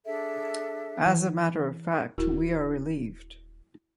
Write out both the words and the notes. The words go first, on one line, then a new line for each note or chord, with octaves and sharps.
As a matter of fact, we are relieved.
D4 G#4 A4 E5
E3
D#1 E4 F#4 A#4